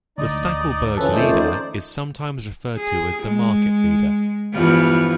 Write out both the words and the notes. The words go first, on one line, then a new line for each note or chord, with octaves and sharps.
The Stackelberg leader is sometimes referred to as the Market Leader.
D2 D#4 D5 D#5
C#3 E3 F3 C4 C#4 A4 B4
F2 D#3 A3 D#4 C5 D5
G#4
G#3
E2 G2 F3